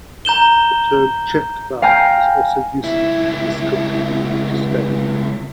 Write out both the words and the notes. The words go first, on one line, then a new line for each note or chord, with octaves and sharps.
The term "checked vowel" is also useful in the description of English spelling.
A#5 G6 E7 G7
F5 G5 G#5 A#5 G6
C#2 E4